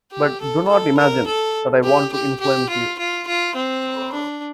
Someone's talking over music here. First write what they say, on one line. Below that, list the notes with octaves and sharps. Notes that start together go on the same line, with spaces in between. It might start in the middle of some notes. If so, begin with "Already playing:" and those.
But do not imagine that I want to influence you.
G4
A4
A4
A#4
A4
G4
G4
G4
F4
F4
F4
C4
D4